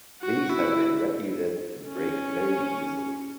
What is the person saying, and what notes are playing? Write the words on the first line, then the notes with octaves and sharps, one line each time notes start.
These have been reputed to break very easily.
F#4
E4
C#4